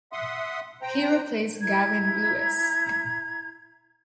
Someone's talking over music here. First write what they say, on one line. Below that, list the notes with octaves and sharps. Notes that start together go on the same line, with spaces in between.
He replaced Gavin Lewis.
E5 F#5 C6 D#6
C5 G5 A#5
E4 A#5 G#6